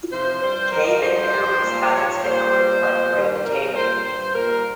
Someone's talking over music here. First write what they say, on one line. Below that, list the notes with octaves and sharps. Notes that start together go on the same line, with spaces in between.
Cayman Airways has its headquarters on Grand Cayman.
C3 F3 C5
G2 G3 C5
G#2 F3 A#4
G2 F3 C5
G#2 F3
A#2 G3
G#2 F3 C#5
A#2 G3 C5
A#2 G3
F3
A#2
G2 D#3 G3
C3 G3 A#4
A#2 G3 C5
G2 G3 C5
A#2 G3 A#4